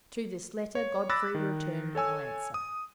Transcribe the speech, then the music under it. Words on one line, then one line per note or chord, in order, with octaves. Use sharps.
To this letter Godfrey returned no answer.
C#5
B5 D6 E6 F#6 A6 A#6
D#3
A4 C#5 G#5 E6
D#6